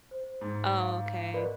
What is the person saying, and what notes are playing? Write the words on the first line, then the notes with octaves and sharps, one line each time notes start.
Oh, okay.
C5
G#2
F5 D6
A#4 B4 D5 D#5